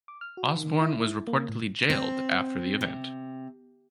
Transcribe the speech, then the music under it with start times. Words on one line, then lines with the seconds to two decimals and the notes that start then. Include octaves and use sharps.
Osborn was reportedly jailed after the event.
0.08 D6
0.21 F6
0.37 F#4
0.57 D#3
0.81 E4
1.27 A#3
1.49 A2
1.90 C4
2.81 C3